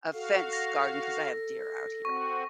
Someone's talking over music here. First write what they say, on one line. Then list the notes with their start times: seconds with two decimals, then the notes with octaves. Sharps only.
a fence garden, 'cause I have deer out here.
0.13 F#4 A4 F5
0.53 A#6
2.05 C4 F#4 C#6